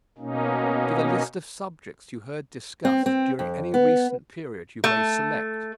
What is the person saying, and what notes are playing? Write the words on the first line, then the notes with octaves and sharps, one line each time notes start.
Give a list of subjects you heard discussed during any recent period you may select.
B2 A#3 C#4 D#4
C4
C4
F2
B3
A3